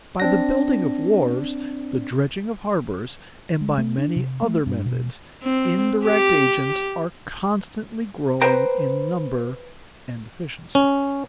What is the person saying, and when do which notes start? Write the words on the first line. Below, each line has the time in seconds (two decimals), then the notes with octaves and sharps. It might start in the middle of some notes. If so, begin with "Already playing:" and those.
By the building of wharves, the dredging of harbors, and by many other methods, indirect agents are constantly growing in number and efficiency.
0.20 C4 D4 A#6
3.61 G#3
3.78 A3
3.98 D4
4.16 C3
4.42 A3
4.66 G2
4.86 B2
5.43 C4
6.06 G4
8.42 B4 C5 G5 A#5
10.75 C#4